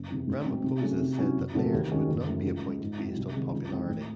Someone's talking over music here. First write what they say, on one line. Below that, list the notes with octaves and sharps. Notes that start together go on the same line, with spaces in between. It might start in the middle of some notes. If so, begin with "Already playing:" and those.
Ramaphosa said that mayors would not be appointed based on popularity.
Already playing: F#1
E2 C3 E3
A1
G#2 F#3 C4 D#4
C3
F#3 A3 C#4 G#4
C3
F#3 C#4 E4
F#1
E2 C3 F#3 A3
D#2
D#3 G#3 C#4 F#4
F#1
F#2 E3 A3
C#2
C#3 G#3
G#2
F#3 C4 E4
C2
C3 D#3 G#3
C#2
C#3 E3 G#3 C4
A2